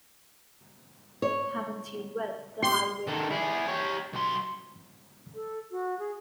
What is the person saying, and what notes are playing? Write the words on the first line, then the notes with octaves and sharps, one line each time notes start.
Haven't you read the Highway Code?
C#5
G4 C6
D#3 A4
E4 G#4
G4 C#5
B1 C6
A4
F#4
G#4